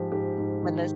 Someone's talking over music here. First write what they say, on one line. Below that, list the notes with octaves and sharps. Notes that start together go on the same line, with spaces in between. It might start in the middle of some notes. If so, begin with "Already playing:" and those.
When those
Already playing: G#2 F3 G4
G#2 G4
G#2
D#3